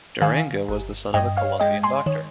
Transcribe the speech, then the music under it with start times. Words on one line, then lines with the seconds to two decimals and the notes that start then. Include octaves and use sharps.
Durango was the son of a Colombian doctor.
0.22 D#3 F5 G#5
0.68 G1
1.14 G2 D#5 G5
1.37 C#5 F5
1.60 G#3 D#5 G5
1.83 G#5 C6
2.06 D#3 C#5